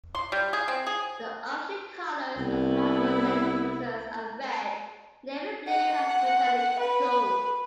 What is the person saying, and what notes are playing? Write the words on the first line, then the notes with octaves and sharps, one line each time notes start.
The official colors of the Harrisburg Senators are red, navy blue and metallic gold.
C6
G3
G#4
C4
G#4
C2 B3 E4
F#5
B4